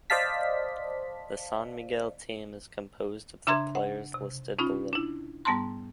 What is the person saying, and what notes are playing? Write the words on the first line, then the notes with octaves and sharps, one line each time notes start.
The San Miguel team is composed of the players listed below.
C5 D5 D#5 F5 A5 B6
C#3 D4 E5 A#5 C6 G#6
F#5
C3
C#4 D#4 F4 B5
D4 E4
G#2 G3 B3 A5 A#5 C6